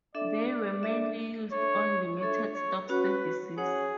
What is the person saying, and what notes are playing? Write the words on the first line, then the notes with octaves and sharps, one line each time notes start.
They were mainly used on limited-stop services.
D4 A4 D5 E5
D4 A4 E5
D4 A4 C#5 E5
D4 A4 C#5 E5
C#5
C#4 F#4 B4 C#5 F#5
C#4 F#4 G#4 C#5 F#5